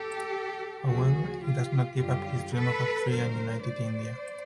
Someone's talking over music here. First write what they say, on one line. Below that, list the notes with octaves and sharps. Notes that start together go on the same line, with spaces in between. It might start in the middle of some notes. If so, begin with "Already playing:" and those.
However, he does not give up his dream of a free and united India.
Already playing: G4 A4
D2 C#3 F3 F#4 G#4
F4 G4
F#2 D3 G3 F4 G4
A4 B4
G2 D3 F#3 A3 A#4 C5
C5 D5